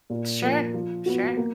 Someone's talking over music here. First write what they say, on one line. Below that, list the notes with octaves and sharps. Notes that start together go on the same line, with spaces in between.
Sure. Sure.
A#2
F3 A#3
F3
B3 F#4
A#3